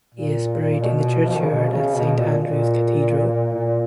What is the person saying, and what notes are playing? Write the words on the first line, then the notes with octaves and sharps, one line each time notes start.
He is buried in the churchyard at St Andrews Cathedral.
A#2
B2
F3
D#3
C#3
B2
C#3
B2
A#2
A#2
A#2